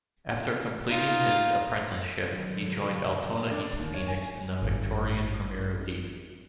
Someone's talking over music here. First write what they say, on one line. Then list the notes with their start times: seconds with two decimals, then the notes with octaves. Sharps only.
After completing his apprenticeship he joined Altona East Phoenix in the Victorian premier league.
0.90 D#4 F4
2.27 G2 B2 D3 D#3 F#3
3.51 D4
3.66 D3
3.79 D#2
3.94 C#5
4.07 G#5
4.62 G#1 G2